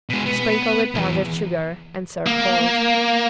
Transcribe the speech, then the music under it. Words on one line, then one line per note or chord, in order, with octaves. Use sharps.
Sprinkle with powdered sugar and serve cold.
B2 G#3
B3
B1 E2
A#3